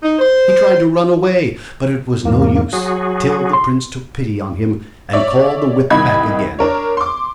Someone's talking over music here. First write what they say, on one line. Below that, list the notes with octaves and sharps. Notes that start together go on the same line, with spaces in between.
He tried to run away; but it was no use; till the prince took pity on him, and called the whip back again.
D#4
C5
E2 G#2 A#3
F#3 F#4 G#4
C6
C#5 D5 E5
C2 D#3 D#5 B5 G#6
D4 A#4 C#5
C6 D6